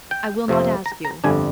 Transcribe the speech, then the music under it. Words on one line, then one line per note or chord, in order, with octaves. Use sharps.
"I will not ask you."
G5
F2 C3 F3 C4
A#5
A#5
G1 F2 D3 G3 D4 G#5